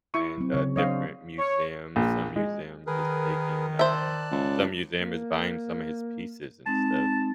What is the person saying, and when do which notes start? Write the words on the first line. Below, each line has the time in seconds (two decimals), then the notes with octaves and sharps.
and, uh, different museums. Some museums is taking, um some museum is buying some of his pieces and stuff.
0.14 E4 C#6
0.38 F#3 C4
0.54 C#3 C#5
0.76 F#3 D4 C5 C#5 D#5 F5
1.39 C#5
1.96 A#1
2.36 G#3
2.87 D#3 G#4 A#4 B4
3.79 C5 D5 E5 A5 F#6
4.31 C#2
5.00 A#3
6.66 G#3 C4 D#4 A5